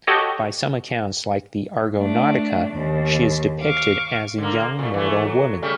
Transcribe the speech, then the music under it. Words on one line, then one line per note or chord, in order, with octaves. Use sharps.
By some accounts, like the "Argonautica", she is depicted as a young, mortal woman.
F#4 G4 A4 C#5 D#5
A3 D4
D#2
F5 C#6 D6
D3 A#3
A#2 A3
E3 A3
F#3
C#3 G3 A3